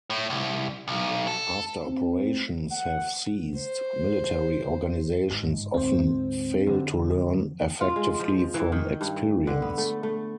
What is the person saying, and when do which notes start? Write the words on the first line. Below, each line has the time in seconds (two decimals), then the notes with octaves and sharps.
After operations have ceased, military organisations often fail to learn effectively from experience.
0.10 A2
0.30 C2
0.88 B1
1.27 A4
1.86 C4
2.72 F#5
3.57 C5
5.30 G1 G#2
5.74 D2 G#2 C4 C5
6.67 F2 D3
7.81 F4
7.96 G#3
8.20 F3
8.54 E3
8.72 D#3
9.01 G2
9.47 D3
9.62 B3
9.78 A3
10.03 A3